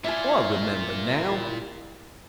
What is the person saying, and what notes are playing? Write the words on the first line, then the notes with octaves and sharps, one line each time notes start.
I remember now!
A#2 E4 F4 G#5